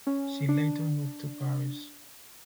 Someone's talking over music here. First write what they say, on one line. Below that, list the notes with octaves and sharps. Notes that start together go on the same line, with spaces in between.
She later moved to Paris.
C#4
D4